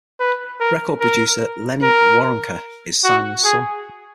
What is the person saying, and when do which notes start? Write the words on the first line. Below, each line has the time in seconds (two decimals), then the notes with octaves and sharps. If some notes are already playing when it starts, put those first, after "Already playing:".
Record producer Lenny Waronker is Simon's son.
0.20 B4
0.60 A#4
1.00 A#4
1.83 A#4
3.04 F#4
3.44 G#4